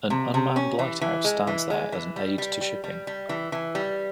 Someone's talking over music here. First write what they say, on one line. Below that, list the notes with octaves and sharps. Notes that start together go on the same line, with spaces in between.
An unmanned lighthouse stands there as an aid to shipping.
C3
C3
C#4
E3
E3
G#3
E3
G#3
E3
G3
G3
G3
G3
G3
E3
E3
G3